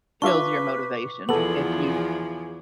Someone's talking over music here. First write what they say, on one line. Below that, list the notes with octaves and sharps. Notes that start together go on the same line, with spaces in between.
kills your motivation if you
D4 F4 B4 E5 C#6 D6
E2 F3 B3 G#4 A4 F#7